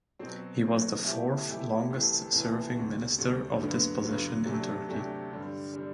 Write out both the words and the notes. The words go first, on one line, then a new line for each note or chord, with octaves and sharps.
He was the fourth longest-serving minister of this position in Turkey.
B2 F#3 C4
B2 F#3 C4
B2 A3 E4 G4
B2 A3 E4 G4
C2 C3 E3 A3
C2 C3 E3 A3
D2 C3 G3 D4 F#4
D2 C3 G3 D4 F#4
G2 D3 F#3 B3
G2 D3 F#3 B3
C3 F#3 A3 D4 G4
C3 F#3 A3 D4 G4
G2 D3 G3
D3 G3